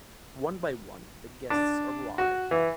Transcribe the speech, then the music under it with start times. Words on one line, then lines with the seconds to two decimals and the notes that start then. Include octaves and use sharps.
One by one, the guests arrive.
1.50 D4
2.18 F#4
2.51 E3